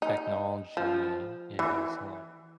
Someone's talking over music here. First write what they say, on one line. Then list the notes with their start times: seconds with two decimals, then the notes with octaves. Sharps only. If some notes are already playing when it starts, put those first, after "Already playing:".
technology is, like
0.02 D#4
0.77 F3
1.59 E3